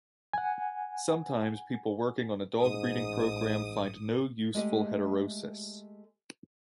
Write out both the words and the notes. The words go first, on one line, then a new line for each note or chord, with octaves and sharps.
Sometimes people working on a dog breeding program find no useful heterosis.
F#5 G#5
A1 G#2 D#6
G#3 A3 G4 D#5